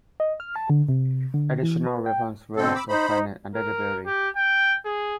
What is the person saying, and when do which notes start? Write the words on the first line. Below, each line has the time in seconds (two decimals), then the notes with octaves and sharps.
Additional weapons were also planned under the belly.
0.20 D#5
0.40 F6
0.56 A5
0.70 D3
0.89 C3
1.34 D3
1.63 E3
1.87 B4
2.06 G5
2.56 B2 D3 C4 A4
2.75 B5 D6 E6
2.89 D#4 C5 B5
3.08 D#4
3.55 A#4
4.06 G4
4.36 G5
4.85 G#4